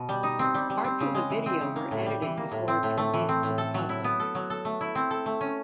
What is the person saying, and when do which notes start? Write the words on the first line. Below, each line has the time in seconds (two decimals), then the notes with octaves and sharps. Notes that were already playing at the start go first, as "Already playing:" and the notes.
Parts of the video were edited before its release to the public.
Already playing: B2
0.09 G3
0.23 D#4
0.39 C4
0.54 G3
0.70 G3
0.84 C4
1.00 C#3
1.15 G#3
1.30 E3
1.46 C4
1.61 C#3
1.76 A#3
1.91 A2
2.06 G3
2.22 E3
2.37 A#3
2.52 A2
2.68 C4
2.83 A2
2.97 A3
3.13 E3
3.29 C4
3.43 A2
3.58 A4
3.74 F#3
3.89 E4
4.04 B3
4.20 A4
4.35 F#3
4.50 A4
4.65 A3
4.81 E4
4.95 C4
5.11 A4
5.26 A3
5.41 C#4